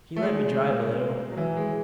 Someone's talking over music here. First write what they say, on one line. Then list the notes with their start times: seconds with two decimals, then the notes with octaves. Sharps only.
He let me drive a little.
0.16 A3
0.23 G#3
1.32 F#3
1.37 E3
1.56 G#3